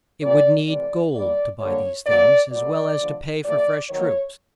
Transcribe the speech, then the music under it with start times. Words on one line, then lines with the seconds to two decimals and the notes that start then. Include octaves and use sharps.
It would need gold to buy these things, as well as to pay for fresh troops.
0.23 A#2 F#3 A#3 D5
0.69 C3 E3 A3 D5
1.14 D#3 G3 A#3 D5
1.60 D3 G3 A#3 C#5
2.06 D#3 F#3 A#3 D5
2.52 B2 F#3 A3 D5
2.98 D3 F3 A3
3.43 A#2 F#3 A3 D5
3.89 D#3 F#3 A#3 C#5